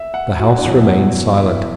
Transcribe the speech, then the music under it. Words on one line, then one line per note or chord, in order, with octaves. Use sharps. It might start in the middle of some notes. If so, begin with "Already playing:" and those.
The house remained silent.
Already playing: E5
F#5
F#4
D4
E2 B2 F#3 E4
E4